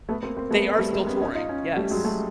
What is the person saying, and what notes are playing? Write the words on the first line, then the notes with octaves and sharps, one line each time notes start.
They are still touring, yes.
A3 B3
A#3 C4
A#3 C4
A3 B3
G3 A3
G#3 A#3
B3 C#4
C#4 D#4
D#4 F4
C#4 D#4
G3 A3
F#3 G#3
G3 A3